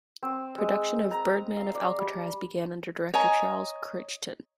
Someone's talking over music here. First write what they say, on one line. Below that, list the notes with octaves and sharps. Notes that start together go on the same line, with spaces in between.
Production of "Birdman of Alcatraz" began under director Charles Crichton.
C4
G#3
A#5
F5
D5
G3
C#5 D#5 G#5 A#5